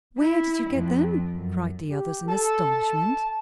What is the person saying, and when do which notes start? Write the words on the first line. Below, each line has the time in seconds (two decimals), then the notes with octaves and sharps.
"Where did you get them?" cried the others in astonishment.
0.19 E4
0.70 F2
1.35 F#2
1.91 G4
2.27 A4 A5